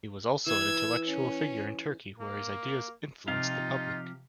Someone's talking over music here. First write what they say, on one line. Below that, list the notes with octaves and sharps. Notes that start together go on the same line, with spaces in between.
He was also an intellectual figure in Turkey where his ideas influenced the public.
E3 E6 G#6
C#4
A#3
C3 F3 D#4 F4 G4 F5